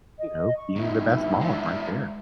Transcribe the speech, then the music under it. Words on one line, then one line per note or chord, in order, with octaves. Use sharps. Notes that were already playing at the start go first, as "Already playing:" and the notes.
you know, being the best mom right there.
D#5
C#6
G2 D#3 E4
G#3 D4